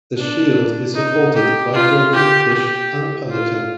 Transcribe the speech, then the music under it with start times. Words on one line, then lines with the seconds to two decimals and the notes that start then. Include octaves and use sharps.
The shield is supported by a dolphin fish and a pelican.
0.18 D4
0.95 D#4
1.34 G4
1.74 F4
2.13 G4
2.52 G4
3.30 F4